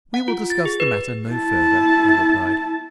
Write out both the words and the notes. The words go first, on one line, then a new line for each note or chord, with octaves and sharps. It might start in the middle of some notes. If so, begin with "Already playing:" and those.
"We will discuss the matter no further," I replied.
F#5
F4
A6
G#4
B4
E4 A5